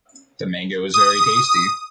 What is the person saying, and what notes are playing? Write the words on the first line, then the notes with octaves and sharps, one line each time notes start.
The mango was very tasty.
D#6